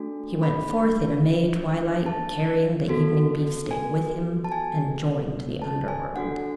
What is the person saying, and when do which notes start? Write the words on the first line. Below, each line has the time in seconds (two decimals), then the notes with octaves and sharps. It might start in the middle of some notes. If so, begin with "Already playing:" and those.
He went forth in a May twilight, carrying the evening beefsteak with him, and joined the underworld.
Already playing: A3 D4 F#4 A4
0.43 B5
2.06 A5
2.88 B3 F#4 A4
3.71 G#5
4.44 A5
4.52 G#5
5.62 A5
5.88 G#5
6.15 D4 F#4 A4 F#5